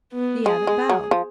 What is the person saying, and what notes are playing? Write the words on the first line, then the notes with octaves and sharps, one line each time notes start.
The Abbot bowed.
B3
G#3 G#4
G#3
F#3
F3